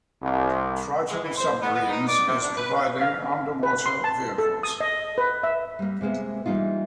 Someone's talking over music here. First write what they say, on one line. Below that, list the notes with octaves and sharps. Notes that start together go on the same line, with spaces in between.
Triton Submarines is providing underwater vehicles.
C2
G#3
E3
C5
B3
B3
D#4
D5
C3
D4
B4
F5
B4
C6
A5
A4
D#6
D#5
B4
E5
G3 A#3
C3 G#3 A#3 B3
E3 G3 A#3 D#4 F4